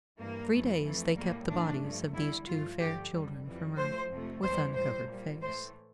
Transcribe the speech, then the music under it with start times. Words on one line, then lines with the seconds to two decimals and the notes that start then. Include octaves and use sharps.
Three days they kept the bodies of these two fair children from earth, with uncovered face.
0.18 G2 E3 G3 A#3
0.51 F2 E3 A3
0.83 F2 E3 A3
1.16 A2 G3 A#3
1.49 A2 F3 A3 D4
1.82 G2 F3 A3
2.14 E2 D3 G3 E4
2.46 G2 F3 A3 F4
2.79 G2 D3 F3 A3 G4
3.12 F2 D3 G3
3.44 F2 E3 G3
3.77 A2 F3 A3 C5
4.09 F2 C3 F3 A3
4.42 E2 E3 G3 C5
4.75 A2 G3 C5
5.07 A#2 G3
5.40 A2 E3 A3 C5